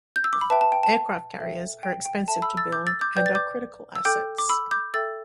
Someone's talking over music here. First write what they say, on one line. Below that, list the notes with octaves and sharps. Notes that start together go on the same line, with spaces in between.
Aircraft carriers are expensive to build and are critical assets.
G6
E6
D6
B5
B4 E5 G5 A5
A5
G5
A5
A4 E5 G5
G5
G5
A4 E5 G5 A5
B5 E6
E6 A6
D6 G6
E6 A6
D6 G6
B4 D5 G5 G6
A6
D6 G6
E6
A4 G5 D6 G6
D6
B5 E6
D6 G6
A4 E5 G5 E6 A6